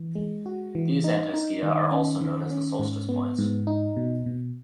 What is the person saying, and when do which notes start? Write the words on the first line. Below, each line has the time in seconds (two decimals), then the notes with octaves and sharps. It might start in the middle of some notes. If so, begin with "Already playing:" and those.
These antiscia are also known as the "solstice points".
Already playing: E3
0.15 G#3
0.46 F#4
0.75 E3
1.04 D#4
1.34 D#4
1.63 D#3
1.91 C#4
2.21 D#3
2.50 C#4
2.79 G#2
3.09 B3
3.38 G#2
3.67 D#4
3.97 B2
4.26 B2